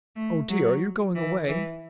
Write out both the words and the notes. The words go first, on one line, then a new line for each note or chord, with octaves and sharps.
"Oh dear, are you going away?"
A3
F#3
E3
E3